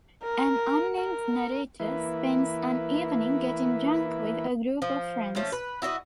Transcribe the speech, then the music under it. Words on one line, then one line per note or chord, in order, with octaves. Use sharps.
An unnamed narrator spends an evening getting drunk with a group of friends.
A#4
A#4
E3 A#3 E4 B4
F3
F3 A3 C#4
B4
E4 F#4 C5 D#5